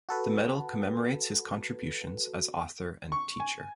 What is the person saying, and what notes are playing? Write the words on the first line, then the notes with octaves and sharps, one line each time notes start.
The Medal commemorates his contributions as author and teacher.
F#4 A4 B4
C#6
G#5